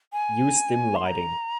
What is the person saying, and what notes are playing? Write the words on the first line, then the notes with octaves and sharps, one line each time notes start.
Use dim lighting.
G#5
C6
A#5